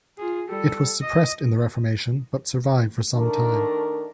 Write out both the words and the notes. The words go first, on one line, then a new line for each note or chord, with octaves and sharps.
It was suppressed in the Reformation, but survived for some time.
F4 G#4
G3 A4
D#5
D#3 A3 D4 A#4